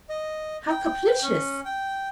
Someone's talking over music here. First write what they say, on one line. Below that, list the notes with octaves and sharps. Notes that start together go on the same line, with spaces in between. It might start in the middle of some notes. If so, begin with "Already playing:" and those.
How caplicious!
D#5
G5
C#4
G5